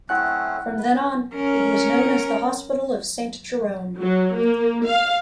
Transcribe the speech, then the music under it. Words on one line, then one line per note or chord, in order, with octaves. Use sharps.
From then on it was known as the Hospital of Saint Jerome.
A3 C4 C#4 E4 F#5 F#6
B4
C#4 A#4
F#3
A#3
F5